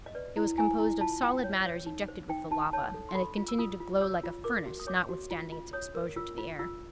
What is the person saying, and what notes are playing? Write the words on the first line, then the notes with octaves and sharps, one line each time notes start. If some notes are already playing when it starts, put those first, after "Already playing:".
It was composed of solid matters ejected with the lava, and it continued to glow like a furnace, notwithstanding its exposure to the air.
D#5
B4 D5
E4
E4 G#5
E4
F4 A5
F4 G5
C#5
C#5
D#4
C5
D#4 G5
D#4 A5
C#5 A5
A4
C6
A4 B5
F4
E6
F4 D#6
F4
C#5 E6
F4
A#4 D6
F#4
D#6
C#5 D6
F#4
F4
F4
C#5 D#6
A#4
F4 E6
F4
F4 E6